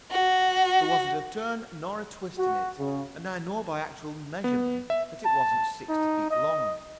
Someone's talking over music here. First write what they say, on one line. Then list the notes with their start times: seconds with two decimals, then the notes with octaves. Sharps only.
There wasn't a turn nor a twist in it, and I know by actual measurement that it wasn't sixty feet long.
0.11 F#4
2.39 F#4
2.79 C#3
4.44 B3
4.90 E5
5.25 A5
5.89 D#4
6.31 D#5